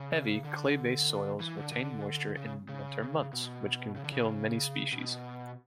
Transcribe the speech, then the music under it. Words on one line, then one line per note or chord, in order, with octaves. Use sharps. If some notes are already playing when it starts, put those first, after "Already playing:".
Heavy, clay-based soil retains moisture in winter months, which can kill many species.
Already playing: C#3
D3
E3
D3
D3
C#3
C#3
B2
C#3
D3
C#3
B2